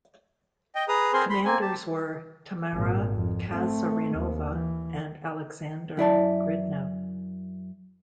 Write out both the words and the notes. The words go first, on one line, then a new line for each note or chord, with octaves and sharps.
Commanders were Tamara Kazarinova and Aleksandr Gridnev.
D#5 G5
G#4 B4 A#5 D#6
C4 G#4 A#4 C5 G#5 C6
B5 C6
A#3 C4 G#5
G4 A5
G#1 A#2
F2
A3 C4
D#2
E3
F#2 E4 D5 A5